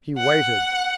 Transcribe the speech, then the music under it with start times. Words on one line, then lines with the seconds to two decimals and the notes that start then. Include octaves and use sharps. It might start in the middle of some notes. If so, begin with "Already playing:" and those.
He waited.
0.18 F#5